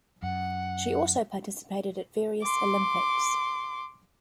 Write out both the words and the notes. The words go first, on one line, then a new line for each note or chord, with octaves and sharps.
She also participated at various Olympics.
F#2 F#5
C6 D6